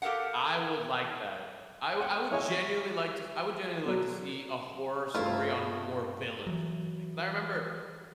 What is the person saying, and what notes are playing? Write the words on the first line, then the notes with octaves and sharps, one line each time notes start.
I would like that. I wou I would genuinely like to s I would genuinely like to see a horror story on more villains than anything, 'cause I remember
G4 A4 A#4 F5 F#5
F#5 G5
E4 C#5 D#5 G#5 C#6
B2 F#3
G2 A3 E4 F4
E3 F#3